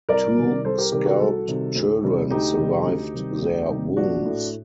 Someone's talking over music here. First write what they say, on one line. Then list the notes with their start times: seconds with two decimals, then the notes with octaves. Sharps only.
Two scalped children survived their wounds.
0.09 C2 A#4 D5
0.37 C3 D#3 G3
0.64 C2 A4 C5
0.78 G4 A#4
0.92 C3 D#3 G3 G4 A#4
1.06 F#4 A4
1.20 C2 F#4 A4
1.48 C3 D#3 G3
1.76 D2
2.03 C3 D#3 G3
2.30 D2 D#4 G4
2.59 C3 D#3 G3
2.86 D2
3.14 C3 D#3 G3
3.42 D2
3.70 C3 D#3 G3
3.97 A#1 D4 F#4
4.25 A2 A3